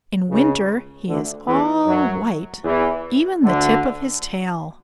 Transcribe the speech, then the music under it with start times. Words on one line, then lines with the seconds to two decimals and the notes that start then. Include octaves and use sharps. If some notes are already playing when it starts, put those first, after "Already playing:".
In winter he is all white, even the tip of his tail.
0.29 C#2 C#3
1.08 D2 D3
1.47 E2 E3
1.86 F#2 F#3
2.64 E2 E3
3.44 D2 D3